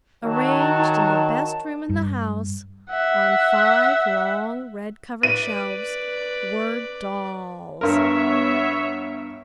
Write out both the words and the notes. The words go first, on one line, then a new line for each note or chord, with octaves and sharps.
Arranged in the best room in the house, on five long red-covered shelves, were dolls.
D#3 F#3 A5
G2
E5 F#5
B4 D5 D#7
G2 B3 A#4 C#5 E5